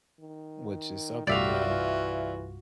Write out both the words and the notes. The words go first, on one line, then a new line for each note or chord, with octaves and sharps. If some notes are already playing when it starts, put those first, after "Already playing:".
which is something, you know,
D#3
C2 G2 G3 F4 F#4 D5 E5 F5
E3